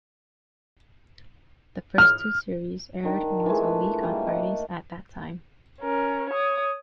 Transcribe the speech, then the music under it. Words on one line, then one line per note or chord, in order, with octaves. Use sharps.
The first two series aired once a week on Fridays at that time.
F6
D#3 D4
E3 F3 G#3 A3
B4
E3 G3 A3 A#3
D#5 F#5
C#4 A#4
C#5 D#6